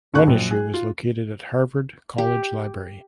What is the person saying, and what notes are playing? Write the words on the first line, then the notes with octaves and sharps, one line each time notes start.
One issue is located at Harvard College Library.
D#2 C#3 C#6 F#6
A#1 F#2
G#4
F4
G4